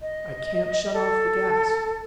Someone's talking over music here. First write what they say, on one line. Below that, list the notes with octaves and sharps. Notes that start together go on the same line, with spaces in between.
I can't shut off the gas!
D#5
A4